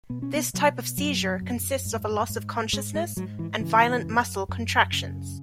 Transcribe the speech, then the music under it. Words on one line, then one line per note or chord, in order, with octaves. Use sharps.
This type of seizure consists of a loss of consciousness and violent muscle contractions.
B2 B3
C#4
B3
B2 F#3
F#2 F#3
F#2
G#2
G#2
G#2 G#3
G#3
G#2 F#3
E3
C#3 E3
F#2
F#2
C#3